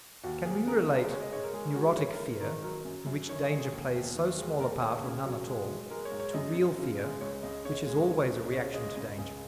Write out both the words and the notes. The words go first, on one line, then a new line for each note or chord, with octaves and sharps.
Can we relate neurotic fear, in which danger plays so small a part or none at all, to real fear, which is always a reaction to danger?
D#2 F#4
D#2 G#4
C#3 A#4
G#3
G#3 C#5
D#5
G#2 C#5
A#4
G#3 G#4
G#2 F#4
G#2 C#5
A#4
G#2
D#3 A#4
F#3 A#4
F#2
F#2
D#3 C#5
G#4
G#3
G#4
D#2
D#2
D#3
G#3
D#2 A#4
D#2 C#5
C#3
F#3
G#3
G#2
G#3 A#4
C#5
G#2
C#5
F#2 D#5
F#2
C#3
G#3
C#2 C#5
C#2 D#5
C#3 C#5
G#3
C#2
C#2
C#3 C#5
G#3 D#5
C#2 D#5
C#2 G#4